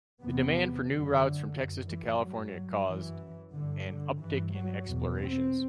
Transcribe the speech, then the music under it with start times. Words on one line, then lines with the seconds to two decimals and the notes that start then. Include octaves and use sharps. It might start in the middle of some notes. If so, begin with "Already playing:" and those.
The demand for new routes from Texas to California caused an uptick in explorations.
0.22 E2 C3 B3
0.88 F#2 D3
1.55 F#2
1.87 E3
2.21 G2 F#3
2.86 F#2 E3
3.53 G2 D3
3.86 D3
4.19 G2 E3
4.52 F#3
4.85 E2 B2
5.19 C4